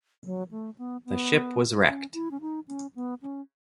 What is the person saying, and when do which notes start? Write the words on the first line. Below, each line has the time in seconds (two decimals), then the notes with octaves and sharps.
The ship was wrecked.
0.24 F#3
0.51 A3
0.78 B3
1.06 B3
1.87 C#4
2.14 E4
2.31 C#4
2.41 D#4
2.68 C#4
2.96 B3
3.22 C#4